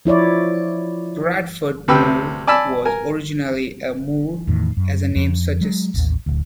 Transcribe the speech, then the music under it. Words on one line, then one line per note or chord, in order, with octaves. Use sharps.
Bradford Moor was originally a moor, as the name suggests.
F3 E4 C#5 D5
D2 C3 B4 G5 E6
D5 G#5 A5 B5 E6
A#4 G#5
E2 A2 D#3
F#2
F2
F#3 G#3
D1 A1 D#2
D1 D2